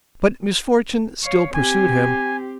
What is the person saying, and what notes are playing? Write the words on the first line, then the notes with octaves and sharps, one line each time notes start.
But misfortune still pursued him.
C#5 F5
C4 G4 G#5